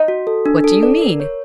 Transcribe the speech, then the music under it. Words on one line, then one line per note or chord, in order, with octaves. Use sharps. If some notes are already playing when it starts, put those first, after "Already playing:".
"What do you mean?"
Already playing: D#4
F#4
A4
D4
A4
D5
A#4
C#5